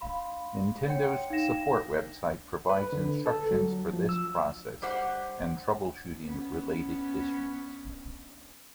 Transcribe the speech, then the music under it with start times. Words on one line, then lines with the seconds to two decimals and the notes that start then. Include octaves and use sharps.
Nintendo's support website provides instructions for this process and troubleshooting related issues.
0.01 F5 B5 C6
0.88 C#5 F#5 G5 C6 C#7
1.30 D#4 F5 G5 A#6 E7
2.69 B4
2.92 D3
3.26 A4
3.51 F#3
3.93 F3
4.09 E6
4.82 G3 G4 C5 F#5
6.24 B3 C#4